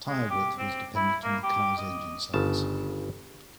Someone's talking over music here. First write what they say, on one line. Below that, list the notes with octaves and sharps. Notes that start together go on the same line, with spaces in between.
Tyre width was dependent on the car's engine size.
G#3
G4
C4
E4
A#3
G4
D#5
G1 C#3 A5